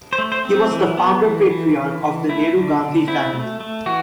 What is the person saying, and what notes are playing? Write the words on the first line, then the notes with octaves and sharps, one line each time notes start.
He was the founder patriarch of the Nehru-Gandhi family.
C5
A3
C5
C4
E3
B3
E3
E3
E3
E3
A3 E4
D3
D3
C4 E4
A3
A3
E3 F#4